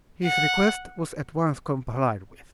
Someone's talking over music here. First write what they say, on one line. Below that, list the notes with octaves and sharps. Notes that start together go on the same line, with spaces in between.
His request was at once complied with.
F#5